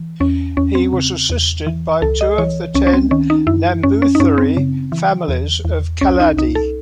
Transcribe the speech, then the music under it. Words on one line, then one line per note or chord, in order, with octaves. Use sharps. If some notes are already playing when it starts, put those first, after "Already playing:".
He was assisted by two of the ten Namboothiri families of Kalady.
Already playing: E3
E2 C#4
E2 C#4
C4
C#3
E2
E3
C#2 A4
D#5
E3 C#5
C#2 C#4
C#4
C4
D#3 C#4
D#4
F#2 E4
F#2 C#4
C#4
D#4
F#2 C#4
C4
C#3
E3
E2
E2
C2 C#4
D#4
C2 D#4
A4